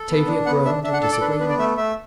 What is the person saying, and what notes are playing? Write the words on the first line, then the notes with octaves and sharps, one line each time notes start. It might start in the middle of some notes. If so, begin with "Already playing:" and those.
Tavia groaned in disagreement.
Already playing: A4
B3
D4
B3 F#5
D4 E5
D4 E5
F#5
A4 A5
D5
D4 B4
A4
B3 B4
D5
A3 E5
A3 E5